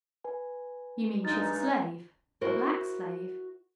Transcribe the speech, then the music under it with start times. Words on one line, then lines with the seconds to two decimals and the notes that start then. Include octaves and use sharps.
"You mean she is a slave--a black slave?"
0.24 B4 G#5
1.24 G2 G#3 D#4 F6 A6
2.41 E4 F#4 A#4 C5